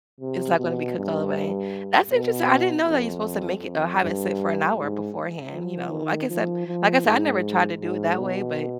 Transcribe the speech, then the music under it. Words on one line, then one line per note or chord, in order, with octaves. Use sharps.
It's not gonna be cooked all the way. That's interesting. I didn't know that you're supposed to make it uh, have it sit for an hour beforehand, you know, like I said like I said, I never tried to do it that way, but
C3
B2
G2
B2
F2
F2
G2
G#2
F3
D#3
F3
F3
G#2
G#2
B2